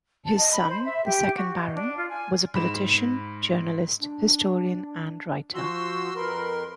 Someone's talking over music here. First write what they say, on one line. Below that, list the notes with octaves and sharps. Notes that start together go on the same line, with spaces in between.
His son, the second Baron, was a politician, journalist, historian and writer.
A5
D#5
B5
C5
E5
G4
F#4
D#5
D4
F4
G#5
G#2 B5 E7
D4
F3 F#4 C6 E6
F2 A#4 B4 C6